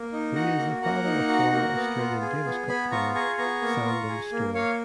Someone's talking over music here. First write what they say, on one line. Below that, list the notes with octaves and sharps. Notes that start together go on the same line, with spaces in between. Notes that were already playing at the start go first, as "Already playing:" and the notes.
He is the father of former Australian Davis Cup player Sandon Stolle.
Already playing: A#3
D#4
F#4 F#5 A#5
A#3
A#3 F#5 A#5
D#4
F#4
A#3
B3
F4
G#4
B3
B3 G#5 B5
F4 A#5 C#6
G#4 A#5 C#6
B3 A#5 C#6
A#3
F4
G#4
A#3
A#3 C#5 F5